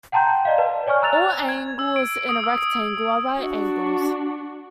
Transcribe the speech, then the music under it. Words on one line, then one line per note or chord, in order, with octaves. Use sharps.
All angles in a rectangle are right angles.
F#5 G5 A5 A#5 C6 G6
D5 D#5 F5
B4 A5
C#5 D5 G#5 C#6 F6
A#5 E6 F#6 A6 F7
G#6
E6
D7
D#6
E6
D4 F#4